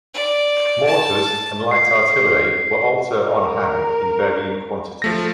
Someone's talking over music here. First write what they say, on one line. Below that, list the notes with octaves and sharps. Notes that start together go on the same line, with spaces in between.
Mortars and light artillery were also on hand in varying quantities.
D5
A5
C7
A#4
F3 A3 A#6